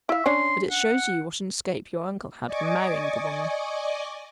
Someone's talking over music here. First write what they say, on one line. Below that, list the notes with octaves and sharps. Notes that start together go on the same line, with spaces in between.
But it shows you what an escape your uncle had from marrying the woman.
E4 E5 F5
C#4 D4 C#5 C6
F#5
D5 D#5 G#5 C#6 D6